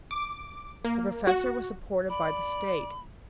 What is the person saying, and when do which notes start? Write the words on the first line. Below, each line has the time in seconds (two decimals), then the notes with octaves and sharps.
The professor was supported by the State.
0.11 D6
0.85 A#3
1.27 F#4
2.10 D5 B5